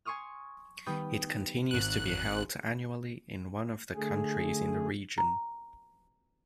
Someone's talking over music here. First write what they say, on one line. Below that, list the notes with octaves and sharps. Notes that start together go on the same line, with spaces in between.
It continues to be held annually in one of the countries in the region.
G#5 C6 C#6 D#6 F6
D#3 G3 B3 B4 G5 D#6
G#1 F#6
D3 A3 G#4
A#5